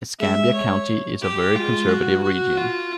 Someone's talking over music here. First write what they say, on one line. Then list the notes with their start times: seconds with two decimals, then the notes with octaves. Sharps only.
Escambia County is a very conservative region.
0.20 G#3 E5
0.54 C#5
1.22 G4
1.55 G#3 F4
1.89 F#4
2.23 F#4
2.57 F4